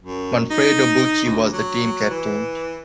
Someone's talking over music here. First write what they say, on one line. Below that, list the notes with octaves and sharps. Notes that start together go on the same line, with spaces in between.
Manfredo Bucci was the team captain.
F#2
D#4
D2
F#3
E3